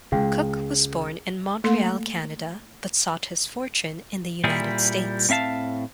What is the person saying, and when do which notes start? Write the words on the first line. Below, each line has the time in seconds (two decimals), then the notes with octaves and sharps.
Cooke was born in Montreal, Canada, but sought his fortune in the United States.
0.12 C#2 G#3 G#4 F5 G5
1.64 A3 A#3 A4 C6
4.44 A#2 G3 E4 G#4
5.29 A2 C4 E5 F5 A5